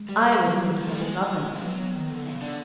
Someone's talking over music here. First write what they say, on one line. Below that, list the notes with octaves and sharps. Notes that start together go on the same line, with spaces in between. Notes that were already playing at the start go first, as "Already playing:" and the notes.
"I was thinking of the governor," he said.
Already playing: G#3
G3
F#3 G3
G#3
F3
A3
G3
G#3 A#3
F3
F#3 B3
D#3
D3
C#3
D3